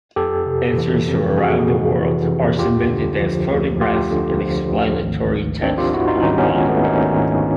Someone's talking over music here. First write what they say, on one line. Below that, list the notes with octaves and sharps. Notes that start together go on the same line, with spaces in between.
Entries from around the world are submitted as photographs and explanatory text online.
F2 G4 A4
C3
E3
F2
F2 F#4 G#4
C3
E3
F2
D2 F4 G4
D3
F3
D2
D2 F4 G4
D3
F3
D2
G#1
G#2
D#3 C4 D4
F4 G4
G#1 E4 F#4
D#4 F4
G#1 C#4 D#4
B3 C#4
G#2
A3 B3
D#3 C#4 D#4
G#1